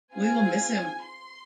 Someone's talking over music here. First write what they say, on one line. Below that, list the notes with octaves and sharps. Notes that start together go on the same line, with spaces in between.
We will miss him!
C4 F4 G#4 G#5
C6